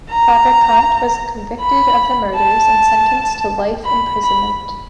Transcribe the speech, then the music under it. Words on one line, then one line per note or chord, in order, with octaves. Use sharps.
Fabrikant was convicted of the murders and sentenced to life imprisonment.
A#5
B5
A5
B5
B5